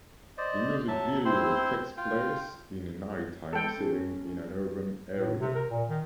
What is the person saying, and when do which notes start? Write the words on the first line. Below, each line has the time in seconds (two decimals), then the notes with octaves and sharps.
The music video takes place in a nighttime setting in an urban area.
0.38 C5 D5 D#5
0.88 F#3 E5 A5
1.25 C4 E4 C5 C6
1.97 F4 G5
3.53 G#3 A4 G5
3.77 C#4
5.17 A2
5.39 C3
5.55 A#4
5.71 A#2
5.88 D#3